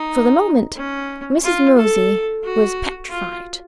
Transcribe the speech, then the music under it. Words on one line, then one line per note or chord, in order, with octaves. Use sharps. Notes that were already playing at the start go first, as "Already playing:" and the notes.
For the moment, Mrs. Mosey was petrified.
Already playing: D#4
C#4
F4
A4
F#4
F4